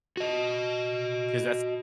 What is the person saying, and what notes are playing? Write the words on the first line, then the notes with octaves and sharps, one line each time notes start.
'cause that's
F#4 D#5